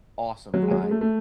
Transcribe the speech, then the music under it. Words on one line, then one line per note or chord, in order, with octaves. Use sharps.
awesome guy,
F#3
G#3
F#3
G#3
A3
A3